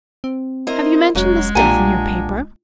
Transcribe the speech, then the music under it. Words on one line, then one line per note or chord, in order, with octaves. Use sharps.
"Have you mentioned this death in your paper?"
C4
E4 A#4 C5 D#5
F1 F#3 G#3 C#4 F#4
B1 A#2 D4 G4 F#5 G#5 A#5